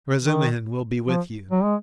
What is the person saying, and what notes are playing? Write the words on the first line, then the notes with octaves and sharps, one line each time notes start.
Razumihin will be with you.
D#3
F3
F#3
G#3